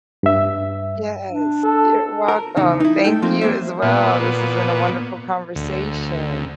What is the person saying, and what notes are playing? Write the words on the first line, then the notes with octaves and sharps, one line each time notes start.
Yes, you're welcome. Thank you as well. This has been a wonderful conversation
G2 E5
D4
A4
A#4
E2 C#3 D#4 E4
D#4 E4
G#3 A3 D#4 A4 G5
F3 A3 A#3 C4
E2 G3 A#3 C5 E5
A#2 B3
D2